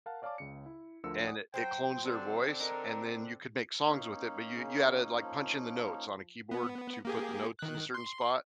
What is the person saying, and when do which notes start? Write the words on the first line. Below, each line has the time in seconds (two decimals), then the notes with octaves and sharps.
and it it clones their voice, and then you could make songs with it, but you you had to, like, punch in the notes on a keyboard to put the notes in a certain spot
0.06 A#4 F5 F#5 A5
0.22 C#5 D5 F5 G#5 A5 D6
0.38 C#2 C#3 C#7
0.66 E4
1.04 D2 D3 F3 A#4 E6 C#7
1.23 D5 F#5 G#5 D#6
1.54 F#3 C5 G5
2.04 D3 C4 D4
2.60 D#4 A#4
3.88 A#3 C#4 D#4
4.56 C#3
5.24 F3
6.51 B3
7.05 A#3 G4 G#4
7.59 D#3 F#6
7.94 C6